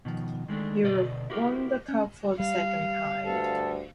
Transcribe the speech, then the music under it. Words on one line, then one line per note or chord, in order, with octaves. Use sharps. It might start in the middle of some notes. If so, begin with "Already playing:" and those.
Europe won the cup for the second time.
B2 D#3 F3
D#3 G#3 A3 D4
D2 B2 C5 D5 D#5
E4 F#4 G4 A#4
C#4
G3 F5
D2 G2 A4